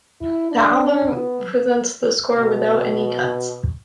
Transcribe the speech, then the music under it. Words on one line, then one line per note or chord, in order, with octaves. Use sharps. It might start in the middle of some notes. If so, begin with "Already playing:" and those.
The album presents the score without any cuts.
E4
D4
B3
B2